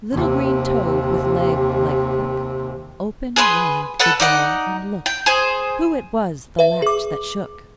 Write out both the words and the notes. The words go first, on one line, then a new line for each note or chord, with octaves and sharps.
'Little green toad with leg like crook, Open wide the door, and look Who it was the latch that shook.'
D#2 C3
G#4 B4 E5 C6
A4 B4 F#5
D#4 D5 F#5
G5
G#4 C5
B4 E5
G#4 D6